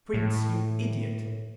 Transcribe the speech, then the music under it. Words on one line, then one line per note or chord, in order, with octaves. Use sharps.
"Prince, you idiot!"
A2